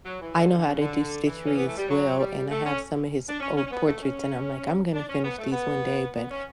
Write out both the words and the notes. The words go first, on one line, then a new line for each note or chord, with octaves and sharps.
I know how to do stitchery as well, and I have some of his old portraits, and I'm like, "I'm gonna finish these one day," but
F#3
E3
D3
D3
C#3
D3
E3
C#4
B3
A3
G3
F#3
G3
A3
C#4
D4
C#4
C#4
C#4
B3
A3
C#4
D4
C#4
B3
A3
B3
B3
C#4